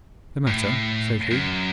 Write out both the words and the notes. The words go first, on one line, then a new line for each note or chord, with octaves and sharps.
'The matter?' said he.
A2
F#2